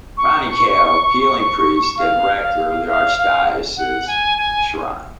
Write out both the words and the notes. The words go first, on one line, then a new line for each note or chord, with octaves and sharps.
Ronnie Cao, Healing Priest and Rector of the Archdiocesan Shrine.
C#6
F5
F5
F5
F5
F#5
G#5
G#5